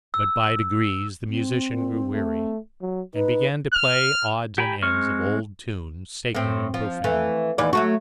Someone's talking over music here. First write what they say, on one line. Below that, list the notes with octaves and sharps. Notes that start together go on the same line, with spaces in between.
But by degrees the musician grew weary, and began to play odds and ends of old tunes, sacred and profane.
E6
C4
A#2
A3
F#3
D#4 B4
F6
G4 G5 G#5 A#5 B5
G#3 C4 C#6 F6
A2 C4
F3
E3 A3
D#2 E3 D5
F#3 A3 F#4